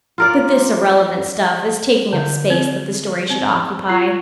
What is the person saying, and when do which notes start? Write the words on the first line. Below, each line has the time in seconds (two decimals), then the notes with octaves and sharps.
But this irrelevant stuff is taking up space that the story should occupy.
0.18 F4 A#4 D5
2.13 D3
2.50 C4
3.30 C4
3.89 F4